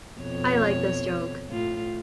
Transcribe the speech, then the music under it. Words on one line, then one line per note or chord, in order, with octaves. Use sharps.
I like this joke.
F2 B2 C#5
A2 F4